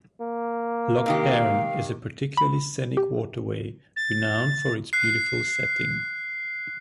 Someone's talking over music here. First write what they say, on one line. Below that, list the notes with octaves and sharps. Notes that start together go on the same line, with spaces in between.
Lough Erne is a particularly scenic waterway, renowned for its beautiful setting.
A#3
C3 D#3 G4 F5
B5
G4
A6
F#6 C7